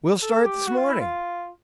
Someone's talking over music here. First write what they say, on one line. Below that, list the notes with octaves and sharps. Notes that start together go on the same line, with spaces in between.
We'll start this morning.
A4
G4
F#4
F4
E4
F4